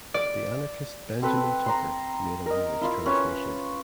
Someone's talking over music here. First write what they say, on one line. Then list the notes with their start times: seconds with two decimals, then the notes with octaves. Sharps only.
The anarchist Benjamin Tucker made an English translation.
0.14 D5
1.22 C4 A4 B4
1.66 A#5 C6
2.46 A#4 D#5
2.81 E4 F4 F5
3.06 C#4 F4 B4 C#5